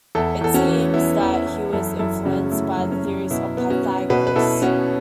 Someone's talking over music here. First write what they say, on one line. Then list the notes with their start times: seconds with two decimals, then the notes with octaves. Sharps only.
It seems that he was influenced by the theories of Pythagoras.
0.15 E2 E4 A4
0.41 E2 A4
0.54 C#4 F#4
0.68 E3
0.94 B3 E4
1.20 E2
1.33 E4
1.46 E2
1.73 F#2 E4 A4
1.99 F#2 E4 A4
2.25 C#3 C#4 F#4
2.52 A3 E4
2.78 F#2
2.92 C#4
3.04 F#2
3.31 B2 E4
3.57 B3
3.70 C#4 F#4
3.83 B3
4.10 B2 F#4 B4
4.27 B4
4.36 B2 E4 A4
4.62 B3 C#4 F#4